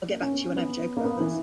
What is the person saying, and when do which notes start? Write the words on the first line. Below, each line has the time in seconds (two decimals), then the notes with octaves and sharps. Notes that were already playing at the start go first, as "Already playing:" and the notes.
I'll get back to you when I have a joke about this.
0.08 A#3
0.21 C#4
0.32 B3
0.45 C#4
0.57 B3
0.97 A#3
1.05 B3
1.20 E3